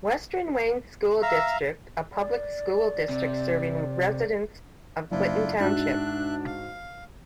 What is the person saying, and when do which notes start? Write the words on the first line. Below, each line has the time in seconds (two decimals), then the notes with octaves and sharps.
Western Wayne School District a public school district serving residents of Clinton Township.
1.22 E5 F5 A#5 E6
2.12 D5
3.09 C3
5.11 F#1 D4 E4 F4
5.60 G#2 D4 F#4 E5 F#6
6.47 F5